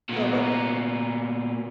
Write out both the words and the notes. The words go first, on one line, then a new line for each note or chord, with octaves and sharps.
No. But
A#2 B3